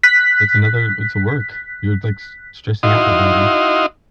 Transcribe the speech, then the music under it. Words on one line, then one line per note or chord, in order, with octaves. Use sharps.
it's another it's a work. You're, like, s stressing out their body,
F#6 B6
D#4 E4 F#4 D#5 F5 C6